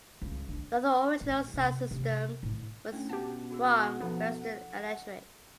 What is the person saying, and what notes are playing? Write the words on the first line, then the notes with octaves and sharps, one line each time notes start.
The other original sound system was from Western Electric.
C#2
D4
A1
C3
C3
A2
A2 C#4 D4
B2 G4 F#5 A5
F#4 G#4 E6
F3 B3 D#4 E4 A4